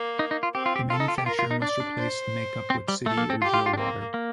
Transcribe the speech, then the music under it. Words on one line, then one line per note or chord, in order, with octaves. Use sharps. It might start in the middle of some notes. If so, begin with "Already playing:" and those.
The manufacturer must replace the make-up with city or drill water.
Already playing: A#3
D#4
D#4
F4
C4 G4
F4
G4
F4 A4
D#4
F4
G4
F4 A#4
F4
D#4
D4 D5
D4
C5
C4
G3
A3 A4
A#3
C4
F4 G4
F4
F4
D4
A#3 C4
A#3